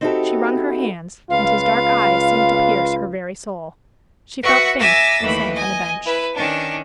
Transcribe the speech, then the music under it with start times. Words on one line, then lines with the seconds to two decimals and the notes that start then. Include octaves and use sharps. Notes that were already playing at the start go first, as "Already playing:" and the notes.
She wrung her hands and his dark eyes seemed to pierce her very soul. She felt faint and sank on a bench.
0.01 C4 D#4 E4 F#4 G4 A4
1.30 C#2 F4 B4 F5
4.43 F#4 B4 E5 F#5 C#6
4.80 E5 G#5 A#5 D6 E6 A6
5.23 D#2 E3 A3 B5
5.54 D#5 G#5
6.05 E4 B4
6.36 D#3 C#4 D4